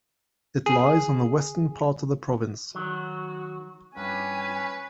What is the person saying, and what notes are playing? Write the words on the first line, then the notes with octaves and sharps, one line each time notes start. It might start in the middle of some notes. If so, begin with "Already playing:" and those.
It lies on the western part of the province.
G#4
D#3 F#3 F#4
G2 C#4 B4 G#5